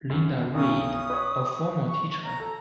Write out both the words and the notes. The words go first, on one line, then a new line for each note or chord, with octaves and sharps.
Linda Reid, a former teacher.
F#2
B1 F#2 C#4 D#6
B4 C#5
C#6
A#5
A4